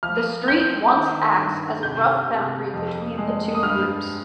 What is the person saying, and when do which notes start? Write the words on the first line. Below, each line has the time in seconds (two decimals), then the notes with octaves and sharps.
The street once acts as a rough boundary between the two groups.
0.03 F3 F6
0.48 C4 G6
0.93 D#3
1.38 G2
1.83 C3 G6
2.28 C3
2.73 F2
3.18 G#3
3.55 D#6
3.63 G2 F6